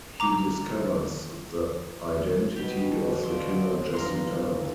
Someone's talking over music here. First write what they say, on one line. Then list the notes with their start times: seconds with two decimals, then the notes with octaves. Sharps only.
He discovers the identity of the killer just in time.
0.20 A#5 D6
2.56 B2 G4 B4
3.23 F4 F#4 C5 D5
3.93 G2 E3 F4 A#4 C6